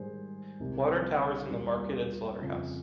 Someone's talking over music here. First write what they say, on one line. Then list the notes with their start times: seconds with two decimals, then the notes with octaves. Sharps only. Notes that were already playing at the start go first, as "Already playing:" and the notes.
Water towers in the market and slaughterhouse.
Already playing: G#2 D#3 G3 G#4 C5
0.60 C2 C3 D#3 G3
1.49 D#2 D#3 G3
2.39 F2 C#3 F3